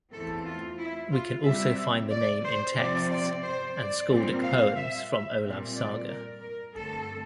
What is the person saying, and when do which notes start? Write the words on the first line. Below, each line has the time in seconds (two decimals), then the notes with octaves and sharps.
We can also find the name in texts and scaldic poems from Olav's saga.
0.12 E2 E3 A3 C4 A4
0.45 F4
0.79 E4
1.12 F4
1.44 C3 G3 C4 E5
2.11 D5
2.44 C5
2.77 C3 F3 C4 D5
3.10 D5
3.43 C5
3.76 D5
4.09 A#2 G3 C4
4.42 F5
4.75 E5
5.08 E5
5.41 A#2 G3 C4
5.75 D5
6.07 A#4
6.41 A#4
6.74 G2 D3 A3 C4 A4